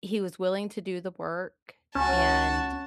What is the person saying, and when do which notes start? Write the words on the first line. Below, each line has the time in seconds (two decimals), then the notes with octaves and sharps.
he was willing to do the work and,
1.95 C#2 C#4 F#4 A5